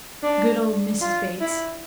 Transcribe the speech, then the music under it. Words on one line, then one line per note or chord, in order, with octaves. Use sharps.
Good old Mrs. Bates.
D4
F4
E4